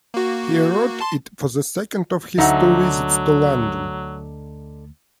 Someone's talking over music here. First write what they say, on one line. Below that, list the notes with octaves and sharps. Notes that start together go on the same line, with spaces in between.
He wrote it for the second of his two visits to London.
A#3 F#4
A5 C6
D2 D3 F#3 D#4 F#4 E5 F#5